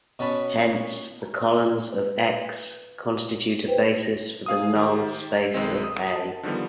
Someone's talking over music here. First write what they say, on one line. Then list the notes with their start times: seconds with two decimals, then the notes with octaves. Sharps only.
Hence, the columns of X constitute a basis for the null space of A.
0.19 B2 C#4 A5 B5
1.96 B4
3.68 B4 C5 G5
4.46 G#4 F5 D#6
4.75 D#3 G4
5.54 B1 D#3 G#3 C4 D#5
5.84 D#6
6.16 A5
6.43 D3 D#3 F3 G3 B3